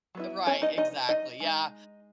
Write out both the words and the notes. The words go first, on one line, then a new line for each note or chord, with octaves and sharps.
Right, exactly, yeah.
F#3 B3 E4
C#4 C#5
D#4 D#5
D#4 D#5
D#4 D#5
G#3 D#4